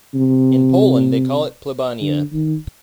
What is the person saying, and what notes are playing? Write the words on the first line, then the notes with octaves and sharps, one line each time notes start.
In Poland they call it "Plebania".
C3
D3
D#3